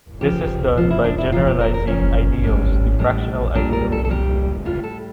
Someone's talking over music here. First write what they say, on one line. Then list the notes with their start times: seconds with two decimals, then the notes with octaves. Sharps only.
This is done by generalizing ideals to fractional ideals.
0.21 C#3 F3 G4
0.77 C#3 F3 F4
0.90 E4
1.04 D4
1.18 E4
1.32 A#2 F3 F4
1.47 G4
1.61 A#4
1.74 A#4
1.87 A#2 F3 C#4
2.44 A2 G3
2.99 A2 G3
3.55 A#2 G3 D4
3.73 A#4
3.92 A4
4.04 A4
4.10 A#2 G3 G4
4.65 A2 G3 F4
4.83 A4